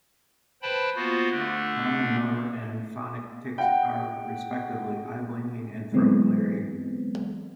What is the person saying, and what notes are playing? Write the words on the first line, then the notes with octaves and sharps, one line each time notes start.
Common motor and phonic tics are, respectively, eye blinking and throat clearing.
B4 C5 G5 A5 B5
A#3 B3 F4 F#4 C5
D3 A3 D4
F#5 G5
D3 E3 F#3 G#3 B3 C4